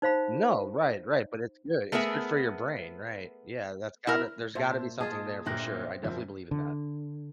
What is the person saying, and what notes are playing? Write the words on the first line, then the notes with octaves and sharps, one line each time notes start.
No, right right, but it's good it's good for your brain, right. Yeah, that's gotta there's gotta be something there for sure, I definitely believe in that.
D#4 C5 F5 B5
A3 B3 G#4 A#4 E5
E4 A#4
A#2 C5 E5 A5
F4 G#4 D#5 A5 D#6
G1 A#2 C4 A#4 F#6
F#1 F3
D3